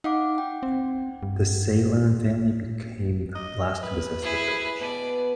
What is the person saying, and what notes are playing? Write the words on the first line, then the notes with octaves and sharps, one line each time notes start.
The Seilern family became the last to possess the village.
D#4 F5 F#5 D6
F#5 G5
C4
G2
D#5
B4
E4 G#4
B2 D5